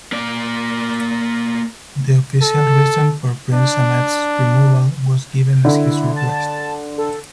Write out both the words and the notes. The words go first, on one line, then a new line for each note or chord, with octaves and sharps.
The official reason for Prince Ahmed's removal was given as his request.
A#3 D5
A4
D4
D3 E4
A5
A4